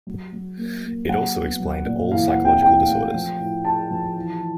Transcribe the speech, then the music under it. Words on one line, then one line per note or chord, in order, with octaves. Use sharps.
It also explained all psychological disorders.
F#3
F#3
A#3
A#3
F#3 F#5
B3
F#3
A#2
E3 F5
F#5
C4
G5
E3 G5
A3
F3
A2
A2 A5
F3
E3
E3